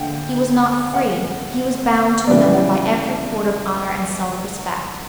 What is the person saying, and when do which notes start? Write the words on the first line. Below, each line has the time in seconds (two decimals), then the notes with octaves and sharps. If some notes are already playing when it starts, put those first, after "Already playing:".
He was not free--he was bound to another by every cord of honour and self-respect.
Already playing: D3 A3 F#5 G5
0.94 F#5
2.27 C#3 E3 G3 B3 D5